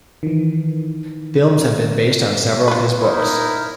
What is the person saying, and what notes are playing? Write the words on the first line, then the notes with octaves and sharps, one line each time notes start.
Films have been based on several of his books.
D#3 E3
F4 B4
D#4 E4 A#4